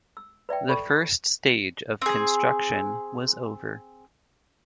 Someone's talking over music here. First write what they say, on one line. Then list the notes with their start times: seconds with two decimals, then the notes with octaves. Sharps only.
The first stage of construction was over.
0.17 E6
0.49 B4 D5 E5 G5
0.68 A4 D5 B5 C#6
2.02 C4 G#4